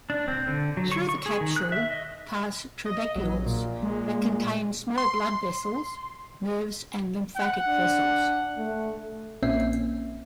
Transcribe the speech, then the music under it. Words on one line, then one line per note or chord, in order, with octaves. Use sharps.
Through the capsule pass trabecules that contain small blood vessels, nerves and lymphatic vessels.
D4
C4
D3
F#3
C#6
C#6
G#4
D#3
F#6
E5
D#5
D#5
A#1 F#3
A#2
G#3
C6
F#5
D4
A3
A#1 A#3 C4 C#4 E5 C7